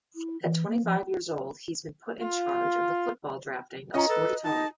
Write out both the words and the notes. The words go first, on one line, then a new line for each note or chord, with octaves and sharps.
At twenty-five years old, he has been put in charge of the football drafting of Sportitalia.
E4
E3
A#3
F3
F4
C#4 F4 D#5 A#5
A4 B4
D#4 A5